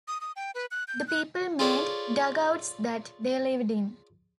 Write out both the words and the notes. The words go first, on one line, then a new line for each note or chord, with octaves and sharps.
The people made dugouts that they lived in.
D#6
D#6
G5
B4
F#6
G6
F#6
F4 G#4 A4 B4 C#5 D5